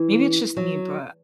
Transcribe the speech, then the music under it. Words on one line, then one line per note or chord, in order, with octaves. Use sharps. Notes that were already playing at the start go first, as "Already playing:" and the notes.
maybe it's just me, but
Already playing: E3
F#3